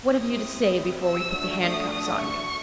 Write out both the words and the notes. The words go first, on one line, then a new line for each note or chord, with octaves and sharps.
"What have you to say before we put the handcuffs on you?"
C4 E4 G4 D#6
E6
A3 D4 F#4 A4
D#6
D#6
C#6